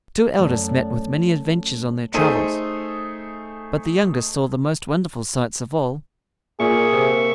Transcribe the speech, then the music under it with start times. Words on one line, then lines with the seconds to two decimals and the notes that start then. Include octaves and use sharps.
The two eldest met with many adventures on their travels, but the youngest saw the most wonderful sights of all.
0.39 F#2 A3 C#5 D5 F#5
2.14 A3 D#4 G#4 A4 C5 D#7
6.60 A#2 A#3 G#4 E5 C#6
6.92 C3